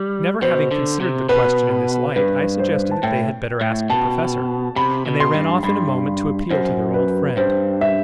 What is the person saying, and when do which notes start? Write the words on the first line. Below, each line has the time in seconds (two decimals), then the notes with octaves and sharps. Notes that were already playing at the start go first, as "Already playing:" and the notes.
Never having considered the question in this light, I suggested that they had better ask the Professor; and they ran off in a moment to appeal to their old friend.
Already playing: G3
0.42 B2 C5
0.71 D3
1.00 C3
1.29 B2 B4
2.16 G2 B4
2.59 C5
2.91 A5
3.03 A2 G5
3.61 A2
3.90 B2 A5
4.76 C3 B5
5.06 B2
5.20 C6
5.34 G2
5.63 G2 B5
6.50 F#2 C5
6.94 B4
7.37 G2 C5
7.81 E5